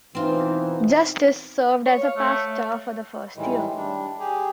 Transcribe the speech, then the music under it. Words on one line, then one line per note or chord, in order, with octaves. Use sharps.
Justice served as pastor for the first year.
B2 E3 C4 D#4 F4
C#5
F5
A3
A2 D#3 E3 G3 G#3
G3 D4
G4 G#4